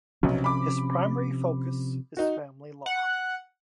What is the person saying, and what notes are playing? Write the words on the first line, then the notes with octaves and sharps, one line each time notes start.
His primary focus is family law.
B1 C3 F3 C#4
B5 D6
D#4 F#4
F#5